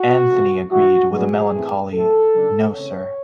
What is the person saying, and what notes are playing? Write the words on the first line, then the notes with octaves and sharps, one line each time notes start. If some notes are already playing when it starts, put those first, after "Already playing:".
Anthony agreed with a melancholy "No, sir."
Already playing: F#4
C3 F3 A3
E3 G3 C4 E4 F#4
F#3 B3 D4 G#4
A2 E3 A3 C4
A2 F#3 A3 C4 A4
C#3 F#3 A#3 D4
C#3 E3 A3 C4 C#5